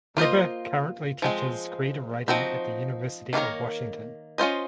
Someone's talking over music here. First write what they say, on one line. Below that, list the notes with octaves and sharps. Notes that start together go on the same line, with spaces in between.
Webber currently teaches creative writing at the University of Washington.
A#3 F4 C5 D#5
F3 G#3 C4
F3 C4 D#4 F#4
D#3 A#3 F4 A#4 C#5
C#4 F4 C5 D#5